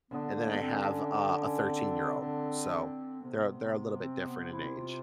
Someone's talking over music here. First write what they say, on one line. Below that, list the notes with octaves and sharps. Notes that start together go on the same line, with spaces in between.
and then I have a a thirteen-year-old, so they're a they're a little bit different in age.
D3 B3
A#3
B3
C4
D4
C#4
C#4
C4
C3 B3
C4
B3
E4
F4